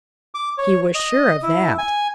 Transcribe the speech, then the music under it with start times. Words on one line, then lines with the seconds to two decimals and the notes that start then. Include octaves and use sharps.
He was sure of that.
0.35 D6
0.58 C#5
0.95 D#5
1.43 E4
1.78 G#5